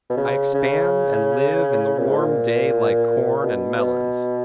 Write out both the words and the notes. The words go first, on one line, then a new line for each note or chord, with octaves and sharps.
I expand and live in the warm day like corn and melons.
B2
C#3
C#3
A#2
G#2
A#2
B2
B2